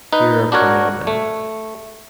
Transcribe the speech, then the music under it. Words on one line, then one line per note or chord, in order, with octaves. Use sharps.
Here are plenty of them.
D#4 B4
D4 F#4 A#4 C#5 F#5
A3